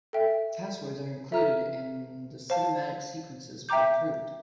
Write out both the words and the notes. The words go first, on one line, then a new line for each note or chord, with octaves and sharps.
Passwords are included and the cinematic sequences were improved.
A4 E5 G5
A4 E5 A#5 F6
C5 F5 A5
E5 G5 A#5 D6 G6